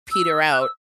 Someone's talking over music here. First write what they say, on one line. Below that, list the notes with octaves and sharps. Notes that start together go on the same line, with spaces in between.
peter out
E6
F#6
E6